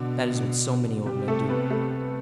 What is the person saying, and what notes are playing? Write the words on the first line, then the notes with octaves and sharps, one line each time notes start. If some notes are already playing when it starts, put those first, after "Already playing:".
That is what so many old men do.
Already playing: B2 D3 D4
C3 G3 G4
A3 A4
B3 B4
A3 A4